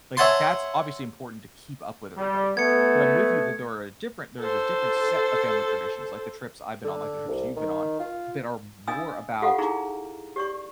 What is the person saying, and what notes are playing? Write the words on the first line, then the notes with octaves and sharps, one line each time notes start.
Like, that's obviously important to keep up with everybody. But I'm with you that there are a different there is a different set of family traditions, like the trips I've been on, like the trips you've been on, that are more about
C#5 E5 F#5 G#5 A5 C6
G3
A3 B3 G#6 C#7
A4 C5
D3
C2
D#3
F4
D4 D#5 F5 G#5 D#6 E6
F4 G4 A4 F5 F#5
D#4 E4 G#4 A#5
G4 D5 C#6